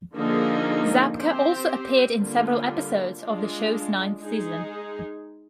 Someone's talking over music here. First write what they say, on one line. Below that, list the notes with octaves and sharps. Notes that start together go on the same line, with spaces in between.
Zabka also appeared in several episodes of the show's ninth season.
D3 F3 A#3 D#4 G#4
C4 G4 C5
D3 G3 A#3 F4
G#3 D4 F4
G#3 D#4 G#4